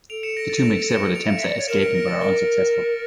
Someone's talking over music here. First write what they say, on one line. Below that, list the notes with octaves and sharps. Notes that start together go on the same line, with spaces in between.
The two make several attempts at escaping but are unsuccessful.
A4 D7 F7
C#7 E7
A#6 D7
A6 C#7
A#6 D7
C#7 E7
D7 F7
F5
E5
D5
C#5
A#4 C#7 E7
A#6 D7
A#6
A6
A#4